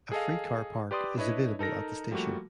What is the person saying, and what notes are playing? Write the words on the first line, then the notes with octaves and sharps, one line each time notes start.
A free car park is available at the station.
G#4 A4 D#5 F5
G4 B4 D5 C6 D6 D#6
D4 E4 B4 C#5 D#5
D#4 A4 A#4 A#6
F3 G3 A3 A#3 F#4